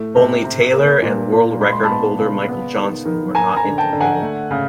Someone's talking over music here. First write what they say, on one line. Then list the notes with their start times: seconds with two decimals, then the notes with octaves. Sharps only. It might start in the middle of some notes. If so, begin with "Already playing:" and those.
Only Taylor and world record holder Michael Johnson were not implicated.
Already playing: A2 A3
0.15 C3
0.45 C3
0.74 A#3
1.02 A#2
1.32 A#2
1.60 G#3 B5
1.73 C6
1.83 A5 B5
1.89 B3
2.19 C#3
2.48 B3
2.76 D#3
3.05 D#3
3.35 A#3 G#5 A#5
3.56 G#5 A#5
3.64 D3
3.78 G5 A5
3.93 D3
4.00 F#5 G#5
4.22 A3
4.51 C#3